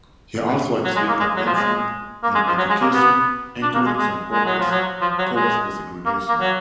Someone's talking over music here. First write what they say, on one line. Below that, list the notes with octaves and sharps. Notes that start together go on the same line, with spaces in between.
He also achieved advancements in education, including some progress toward desegregation.
F#3
G#3
A#3
G#3
F#3
F3
G#3
A#3
G#3
F3
F#3
G#3
A#3
B3
D4
A#3
G#3
G#3
G#3
F#3
F3
F#3
F3
F#3
G#3
A#3
A#3
F#3